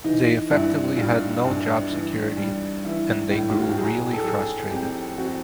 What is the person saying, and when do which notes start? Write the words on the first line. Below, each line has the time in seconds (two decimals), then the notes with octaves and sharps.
They effectively had no job security and they grew really frustrated.
0.04 E3 D#4
0.51 G2 E4
0.97 G3 F4
1.44 G2
1.90 E3
2.37 G3
2.85 E3 E4
3.30 A2
3.51 F4
3.60 F#4
3.69 G4
3.77 F#3 G#4
4.13 A4
4.24 F#3 G#4
4.71 F2 G4
5.17 F2 F#4